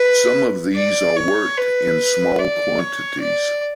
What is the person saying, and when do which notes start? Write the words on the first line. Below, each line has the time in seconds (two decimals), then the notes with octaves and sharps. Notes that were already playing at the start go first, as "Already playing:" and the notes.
Some of these are worked in small quantities.
Already playing: B4
0.76 D5
1.17 C#5
1.57 B4
2.39 D5
2.79 C#5
3.20 D5